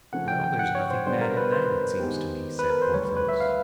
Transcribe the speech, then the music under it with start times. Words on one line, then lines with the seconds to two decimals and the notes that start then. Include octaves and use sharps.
"Well, there's nothing bad in that, it seems to me," said Porthos.
0.12 C#3 F3 A3 C#4 F#5
0.28 G5
0.44 G5
0.59 F#5
0.75 C#5
0.91 C5
1.06 D3 G3 B3 D4 C5
1.21 A#4
1.37 B4
1.53 C5
2.00 D#3 G#3 B3 D#4 G4
2.59 B4
2.70 A#4
2.82 C5
2.93 D2 D3 G3 C#5
3.05 B4
3.17 B4
3.29 E5
3.40 F5